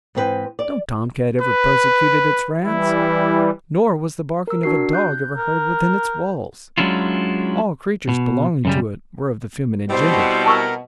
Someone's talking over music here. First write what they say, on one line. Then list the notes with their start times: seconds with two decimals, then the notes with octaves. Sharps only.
No tom-cat ever persecuted its rats, nor was the barking of a dog ever heard within its walls; all creatures belonging to it were of the feminine gender.
0.15 G#2 E3 C4 D4 B4 C5
0.59 D5
1.42 B4
2.63 E3 G3 E4
4.47 A#4 E6
4.63 D4 F#4 C7
4.93 F#6 G6
5.37 A#4
6.78 F#3 G#3 C#4 D4 E4 F4
8.09 B2
8.65 F#2 C#3 G3
9.90 B2 G3 C4 E4 C5
10.46 A#4 A5 C#6 E6